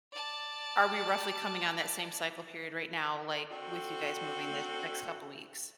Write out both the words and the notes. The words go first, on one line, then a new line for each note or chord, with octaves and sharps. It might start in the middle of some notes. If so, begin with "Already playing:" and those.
Are we roughly coming on that same cycle period right now, like, with you guys moving this next couple weeks?
D5 A5
C4 D4 F#4 A4